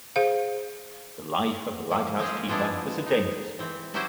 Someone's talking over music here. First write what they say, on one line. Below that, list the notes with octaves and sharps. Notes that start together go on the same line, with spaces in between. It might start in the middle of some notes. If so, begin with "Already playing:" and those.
The life of a lighthouse keeper was a dangerous one.
G#4 C5 F5
F3 A#3
G#3 C4 C#4 G#4
F3 G#3 B3 D4 E4
D#4
E3 C4
F#3 C#4 E4 F#4 G4 C5